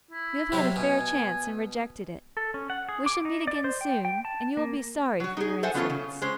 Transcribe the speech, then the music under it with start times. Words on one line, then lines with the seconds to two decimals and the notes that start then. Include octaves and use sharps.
'You have had a fair chance and rejected it. We shall meet again soon, and you will be sorry for your insolence.'
0.11 E4
0.52 C3 F#3
0.76 B2 G#5
2.37 A4
2.54 C#4
2.70 F#5
2.89 G#4
3.06 D6
3.25 D#4
3.47 D5
3.64 C5
3.81 G5
4.05 G5
4.25 A5
4.57 A#3
5.20 F#3 F#4
5.37 D#4 G#4
5.63 A4 C5 E5 F#5 G#5
5.74 F#3 B3 C#4 F4 A4 C5
5.90 C#3
6.22 G#3 C#4 C5